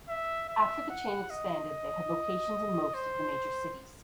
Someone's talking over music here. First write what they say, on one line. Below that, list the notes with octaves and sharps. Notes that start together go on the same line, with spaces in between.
After the chain expanded they had locations in most of the major cities.
E5
E5
F#5
D#5
C5